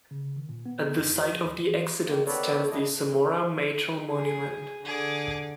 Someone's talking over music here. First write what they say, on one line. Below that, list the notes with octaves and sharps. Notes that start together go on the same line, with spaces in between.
At the site of the accident stands the Samora Machel Monument.
C#3
D#3
A#2
B3
F2
F#4
F3
D2
E3
D#3 A#3
D#3 B3 A4 B4 C#5 D5
F#2 C#3 G3 D4 E4 D#5
G#4
D3 G#4 D6